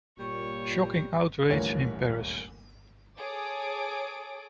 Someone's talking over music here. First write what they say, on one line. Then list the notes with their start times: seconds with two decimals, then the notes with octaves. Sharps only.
Shocking outrage in Paris.
0.19 A#2 G3 C#5 C#6
1.49 D#1 D2 E3 F4 A#4 C#5
3.17 G#4 A4 C#5 D6 D#6 D7